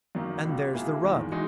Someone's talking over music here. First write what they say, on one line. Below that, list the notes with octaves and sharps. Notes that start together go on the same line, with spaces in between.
And there's the rub.
F#2 D#3 A#3 D#4
C#2 B2 A#3
C#2 B2 A#3 E4 G#4
E2 D#3 G#3
E3 G#3 D#4 F#4